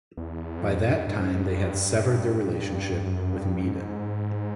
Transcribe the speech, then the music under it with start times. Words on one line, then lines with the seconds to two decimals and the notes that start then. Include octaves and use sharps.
By that time they had severed their relationship with Meaden.
0.17 E2
0.59 F2
0.86 G2
1.07 G2
1.13 G#2
1.41 G2
3.06 F#2
3.33 G2
3.60 G#2